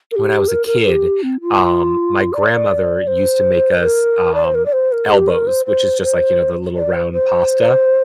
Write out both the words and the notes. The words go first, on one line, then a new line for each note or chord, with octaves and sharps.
when I was a kid, um, my grandmother used to make us, um, elbows which is just like, you know, the little round pasta,
A#4
G4
A#4
A#4
G4
C4
F4
D5
C5
A#4
D5
C5
A#4
D5
C5
A#4
G4
A#4
C5
C5
C5
D5
C5
C5